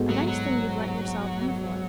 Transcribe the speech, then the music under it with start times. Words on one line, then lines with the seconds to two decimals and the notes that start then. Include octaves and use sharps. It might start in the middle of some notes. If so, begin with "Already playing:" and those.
A nice thing you've let yourselves in for!'
Already playing: G#2 G#3 B3 F#4 A4
0.10 F#3
0.27 F#3